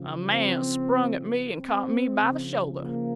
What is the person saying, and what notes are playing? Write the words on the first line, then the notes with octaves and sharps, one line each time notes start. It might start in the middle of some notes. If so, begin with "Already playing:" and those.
A man sprang at me and caught me by the shoulder.
Already playing: C#3 F3
C4
C4
C#3 F3
A#3